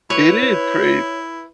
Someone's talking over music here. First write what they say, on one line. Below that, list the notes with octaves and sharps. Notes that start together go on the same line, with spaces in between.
It is crazy
E4 B4 C#5